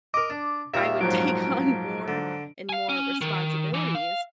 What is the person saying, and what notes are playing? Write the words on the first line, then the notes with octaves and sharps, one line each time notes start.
I would take on more and more responsibilities,
A#4 D#5 D6
D4
D#2 A#2 A#4 E5
G#2 F3 F#3 D7
D3
F5 G#5
C#4
D#3
E3
F5